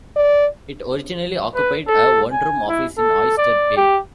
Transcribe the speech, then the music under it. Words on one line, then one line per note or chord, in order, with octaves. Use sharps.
It originally occupied a one-room office in Oyster Bay.
D5
B4
A4
G#5
E4
A4
D5
G4